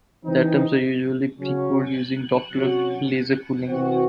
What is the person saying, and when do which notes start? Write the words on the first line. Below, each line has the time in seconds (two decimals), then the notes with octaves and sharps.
The atoms are usually precooled using the Doppler laser cooling.
0.23 E3 C4 D#4
1.38 C#3 F#3 C#4
2.52 C3 F#3 C#4 F#4
3.66 C3 E3 C4 F#4